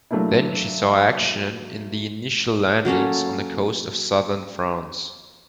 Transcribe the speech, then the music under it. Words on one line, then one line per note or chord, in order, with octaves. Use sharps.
Then she saw action in the initial landings on the coast of southern France.
F#3 A3 A#3 D4 E4
F#3 A#3 C#4 A4